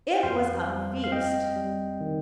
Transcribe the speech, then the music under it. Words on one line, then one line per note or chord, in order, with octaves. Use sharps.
It WAS a feast!
F2 C5 F5
G3
F5
C4 D#5 G5
G3
D#3